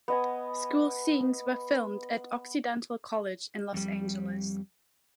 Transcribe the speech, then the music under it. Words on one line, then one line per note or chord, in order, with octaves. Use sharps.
School scenes were filmed at Occidental College in Los Angeles.
B3 D#5 G#5
F2 G3